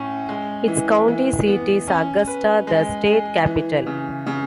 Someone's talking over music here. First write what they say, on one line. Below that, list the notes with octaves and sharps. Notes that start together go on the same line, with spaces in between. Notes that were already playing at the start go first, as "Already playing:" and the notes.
Its county seat is Augusta, the state capital.
Already playing: A2 C#4
G#3
E3
E3
B3
C#4
B4
G#3
G#4
E3
C#3
C#3